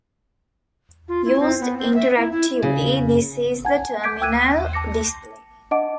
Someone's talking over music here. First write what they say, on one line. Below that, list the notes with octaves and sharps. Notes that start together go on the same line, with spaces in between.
Used interactively, this is the terminal display.
F4
E4
C4
B3
C4
E5
E4
E4
C#3
F#5 G#5 A5 G#6
D6 G6 G#6 B6 D7
G5 E6 F#6 G#6 D#7
A5 D6 A#6 C#7
D4 D#5 F#5 A5 D6 D7